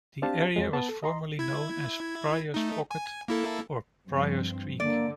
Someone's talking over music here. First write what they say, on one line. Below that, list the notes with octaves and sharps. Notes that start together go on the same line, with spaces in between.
The area was formerly known as Priors Pocket or Priors Creek.
C4 D4 G4 F5 A5
F2 F#3 G#3
B3 A5
A4
D#5 A#5 C6
E4 G#6
A3 D#4
G#5
A#3 E4 A4
G2 F3 C4
D3 A#3 D5